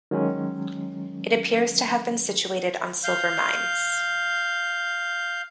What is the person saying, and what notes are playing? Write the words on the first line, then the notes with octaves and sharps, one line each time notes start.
It appears to have been situated on silver mines.
D#3 F#3 G#3 C#4
F5 G6